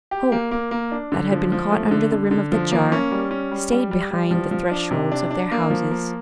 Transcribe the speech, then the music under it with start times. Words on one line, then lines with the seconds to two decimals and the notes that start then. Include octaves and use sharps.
Hope, that had been caught under the rim of the jar, stayed behind the thresholds of their houses.
0.11 G4
0.32 A#3
0.51 A#3
0.71 A#3
0.92 D4
1.12 D3
1.32 F3
1.52 F3
1.71 A3
1.91 D3
2.12 D3
2.31 D3
2.52 F3
2.71 A#3
2.92 C#4
3.11 G3
3.31 C#4
3.51 G3
3.71 G3
3.91 G3
4.11 G3
4.31 F3
4.51 F3
4.71 D4
4.91 C3
5.12 D4
5.31 D4
5.51 A#3
5.70 F3
5.91 A#3